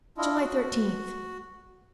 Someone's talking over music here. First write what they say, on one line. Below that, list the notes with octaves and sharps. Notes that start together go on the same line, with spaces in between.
July Thirteenth.
D4 E4 F4 D#5
F#4